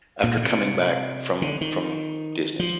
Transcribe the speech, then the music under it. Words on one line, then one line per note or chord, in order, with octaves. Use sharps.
after coming back from from Disney?
A#2
D3
C3
D3
D#3
F3